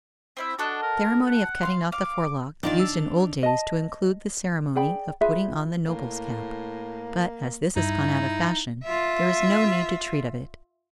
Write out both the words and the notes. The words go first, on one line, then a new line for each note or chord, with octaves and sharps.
The ceremony of cutting off the forelock used in old days to include the ceremony of putting on the noble's cap; but as this has gone out of fashion, there is no need to treat of it.
C4 E4 E5
D4 F#4 A4 D#5
A#4
F#5
F5 C6
F5 D6
D#3 D4 D#4 F4 D5
E6
D#5 A5
G#4 D5 G5 B5
F4 G#4 B4 E5
A2 A#3
G2 D#4 E4
F4 E5